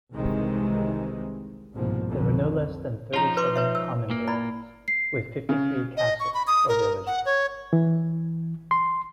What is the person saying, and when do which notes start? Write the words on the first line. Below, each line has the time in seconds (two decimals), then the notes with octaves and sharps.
There were no less than thirty-seven "Commanderies", with fifty-three castles or villages.
0.14 C2 C3 D#3 E3 G#3
1.73 G1 C2 G#2 B2 F3 A#3
2.07 B1 F2 D3
3.14 F3 D#4 F4 C#5 A#5
3.37 B4 C6 D6
3.56 B4 C#5 E5
3.75 E6
4.10 A#2 A#3
4.27 E4 D5 B5
4.88 C7
5.49 C#3
5.97 D#5
6.20 C#6
6.34 B5
6.47 D#6
6.69 A#4
7.07 F#5
7.25 C#5
7.73 E3
8.71 C6